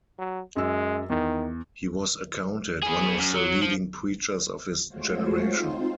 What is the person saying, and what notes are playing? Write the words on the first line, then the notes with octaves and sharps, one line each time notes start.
He was accounted one of the leading preachers of his generation.
F#3
F#2 G#3 E6
E2 D#3
B3 G#4
F#2
F#3
F3
G#3 A3 F4 F#4 C5 C#5
C4 D#4 F4 C5